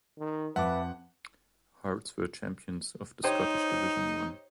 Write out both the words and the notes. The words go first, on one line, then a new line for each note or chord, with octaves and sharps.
Hearts were champions of the Scottish Division One.
D#3
F2 B4 E5 F#5 A5 D6
D#4 G4 C5 C#5